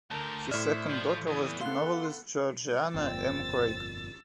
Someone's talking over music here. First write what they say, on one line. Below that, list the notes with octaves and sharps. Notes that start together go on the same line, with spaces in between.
His second daughter was the novelist Georgiana M. Craik.
D2 D3 A#4 A5 G6
A2 C5 D5 E5 F6
F3
E2 D#6
B3 A4 F5 C6 F#6
G1 F2 A#2 C4 E6 A6